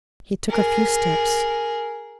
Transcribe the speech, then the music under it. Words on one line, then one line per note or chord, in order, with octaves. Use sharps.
He took a few steps.
G#4 A#4